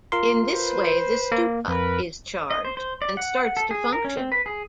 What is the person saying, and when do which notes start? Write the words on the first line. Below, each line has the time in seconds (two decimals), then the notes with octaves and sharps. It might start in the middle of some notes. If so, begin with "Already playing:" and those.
In this way the stupa is charged, and starts to function.
0.12 F4 A#4 C6
0.51 B4 C5
1.32 A#3
1.68 F2 A#4 B4
2.51 D#5
2.65 C5
2.77 C5
3.02 D5
3.17 F#5
3.57 A4
3.71 G#4
3.93 A#4
4.05 C#4
4.17 C4
4.32 B4
4.46 G#4